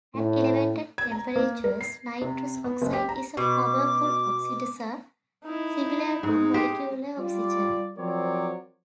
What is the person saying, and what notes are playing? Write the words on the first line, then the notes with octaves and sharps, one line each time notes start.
At elevated temperatures, nitrous oxide is a powerful oxidizer similar to molecular oxygen.
A2
G#6
A#5
A#3
A#4
C7
C3
B3
F#1
G4
A#5
B2 D6
D#4 E4
G#2 G#3 D#4
G4 C5
G3 F4 D5
F3 F#3 C4 A#4 C#5 D5